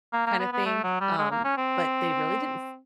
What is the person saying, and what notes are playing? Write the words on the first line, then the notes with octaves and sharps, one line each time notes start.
kinda thing, um, but they really didn't
A#3
A#3
B3
B3
A3
F#3
G3
G#3
A#3
C#4
C4